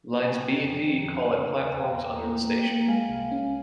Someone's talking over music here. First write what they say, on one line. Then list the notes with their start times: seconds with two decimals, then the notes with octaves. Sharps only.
Lines B and D call at platforms under the station.
0.25 G#5
0.29 C#3 G5 A#5
0.50 F2
0.72 F3
0.94 F2
1.15 F2
1.37 C#3
1.59 E2 G#5
1.69 G5
1.80 E2 F5 G#5
1.91 G5 A#5
2.03 E2
2.23 A#3 G5 A#5
2.45 A#3
2.67 A#3
2.88 G#3 F5 G#5
3.09 C2
3.31 C#4